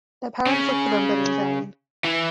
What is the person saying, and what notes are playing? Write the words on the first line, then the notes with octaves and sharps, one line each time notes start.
Their parents look for them but in vain.
C#3
E3